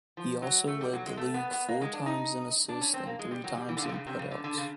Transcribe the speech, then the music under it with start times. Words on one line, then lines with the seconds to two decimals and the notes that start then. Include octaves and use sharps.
He also led the league four times in assists and three times in putouts.
0.17 F3
0.42 F#3
0.67 A3
0.81 G3
0.93 F#3
1.06 G#3
1.17 A3
1.34 B3
1.51 B3
1.68 A#3
1.81 G#3
1.93 D4
2.06 D#4
2.69 D4
2.81 C#4
2.94 C4
3.06 A#3
3.19 G#3
3.31 G3
3.44 F#3
3.57 G3
3.69 E3
3.77 D3
3.82 C#3
3.89 C3
3.94 C#3
4.07 C3
4.19 C#3
4.31 D3
4.44 D3
4.57 C#3